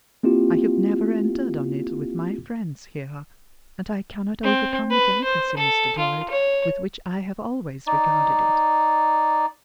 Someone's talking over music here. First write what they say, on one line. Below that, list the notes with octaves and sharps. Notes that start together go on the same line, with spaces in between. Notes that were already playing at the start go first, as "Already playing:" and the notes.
I have never entered on it with my friends here; and I cannot overcome the delicacy, Mr Dorrit, with which I have always regarded it.
A#3 C4 E4 F4 G4
C4
B4
C5
A4
F4
C#5
D#4 D5